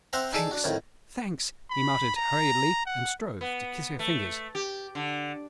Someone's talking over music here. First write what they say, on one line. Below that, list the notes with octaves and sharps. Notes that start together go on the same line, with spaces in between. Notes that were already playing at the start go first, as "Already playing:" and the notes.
"Thanks, thanks," he muttered, hurriedly, and strove to kiss her fingers.
C4 C5 E5 F#5 A#5
D#4 G#4 A4 D5 A5
D4 F#4
F2 A2 D#3
B5
A#5
F#5
B3
A3
G4
D3